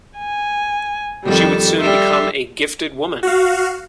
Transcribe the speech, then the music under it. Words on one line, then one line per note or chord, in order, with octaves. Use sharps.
She would soon become a gifted woman.
G#5
F2 D#3 G3 A4
G3 A4 E5 C6
F#4 F5